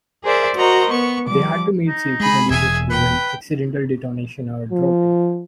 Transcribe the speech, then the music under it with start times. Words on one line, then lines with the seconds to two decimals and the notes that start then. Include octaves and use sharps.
They had to meet safety conditions, to prevent accidental detonation or dropping.
0.24 G#4 A#4 C5 D5 E5
0.56 F#4 A#4 C5 D#5 A#5
0.91 B3 C#6
1.28 F3 G3 D6
1.88 D#4
2.20 G#3 G#4 B5
2.50 E1 G#4 E5 G#5
2.90 B4 G5
4.72 F3